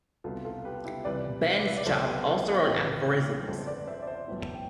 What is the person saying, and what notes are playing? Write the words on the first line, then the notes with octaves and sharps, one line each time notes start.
Benschop also wrote aphorisms.
C2 B2 F4 A4
F4 A4
G4 B4
E4 G4
C2 C3 E3 B4 D5
B4 D5
E5
D5
B1 B2 A4 C5
G4 B4
F4 A4
F4 A4
A1 A2 E3 G4 B4
G1 F2 D3 A4 C5
B4 D5
C5 E5
D5
C5 E5
B1 A2 E3
G5